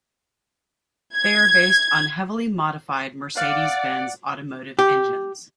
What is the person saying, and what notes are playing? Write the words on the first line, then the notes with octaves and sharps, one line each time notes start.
They are based on heavily modified Mercedes-Benz automotive engines.
G#6
D5 F5 F#5
G4